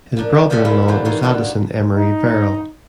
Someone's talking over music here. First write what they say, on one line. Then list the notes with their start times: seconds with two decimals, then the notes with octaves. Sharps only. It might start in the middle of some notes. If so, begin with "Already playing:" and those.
His brother in law was Addison Emery Verrill.
0.17 F3 D4 A#4
0.50 C#3 F3 G#3 D4 F4 G4
0.65 C#3 A#3 B3 E4 F4 B5
0.88 C3 E3 A3 D4 G4
1.05 D#3 E3 D#4 F4 G#4 C#5
1.22 G2 B3 D4 D#4 F4 F#4
1.95 D#4